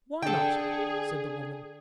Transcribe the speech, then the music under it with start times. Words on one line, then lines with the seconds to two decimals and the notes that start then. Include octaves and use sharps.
"Why not?" said the woman.
0.22 D3 D4 G#4 A4 G5